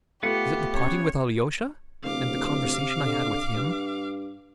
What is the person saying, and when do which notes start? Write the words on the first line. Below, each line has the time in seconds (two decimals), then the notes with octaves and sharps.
Is it the parting with Alyosha and the conversation I had with him?
0.23 A3 B3 F4 G4 B4 F#5
0.74 C#4 C#5
2.04 D1 C3 F5 D6
3.05 D3
3.55 G2